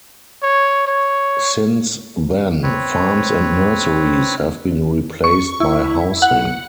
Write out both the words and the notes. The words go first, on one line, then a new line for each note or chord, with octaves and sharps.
Since then, farms and nurseries have been replaced by housing.
C#5
C#5
C4 B4 C#5
C#6
E4
F#5